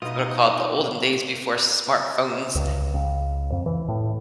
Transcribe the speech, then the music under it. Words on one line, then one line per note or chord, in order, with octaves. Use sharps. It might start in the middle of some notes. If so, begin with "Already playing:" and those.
was gonna call it the olden days before smartphones,
B2 D#4 F4 B4 D#5
C#2
C#2
F2
E3
A2